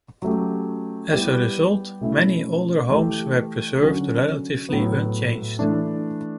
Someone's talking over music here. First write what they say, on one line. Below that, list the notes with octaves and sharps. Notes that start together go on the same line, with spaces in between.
As a result, many older homes were preserved relatively unchanged.
F#3 A3 C#4 G4
G3 B3 E4 G4
B2 A3 C#4 E4
E3 A3 E4 G4
D3 F#3 C#4 F#4
A2 F#3 B3
E3 A3 D4